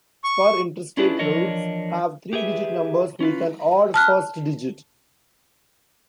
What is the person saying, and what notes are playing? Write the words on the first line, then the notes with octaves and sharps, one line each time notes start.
Spur Interstate routes have three-digit numbers with an odd first digit.
C#6
C#4 D4 E4 F4 G#4 B4
E3 F3 D4 A#4 C#5 D#5
G4 G#4 B4 E5
C#4 F4 B4
A5 F6 F#6